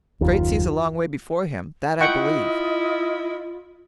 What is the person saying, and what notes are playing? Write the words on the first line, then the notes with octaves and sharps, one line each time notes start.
The Frate sees a long way before him; that I believe.
F#1 D#2 F4
E4 F4 D#5 F#5 G5 C#6